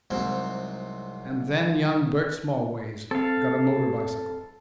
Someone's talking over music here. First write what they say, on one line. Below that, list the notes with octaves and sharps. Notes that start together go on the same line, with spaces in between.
And then young Bert Smallways got a motor bicycle....
C2 G#2 F#3 C4
C4 A4 F5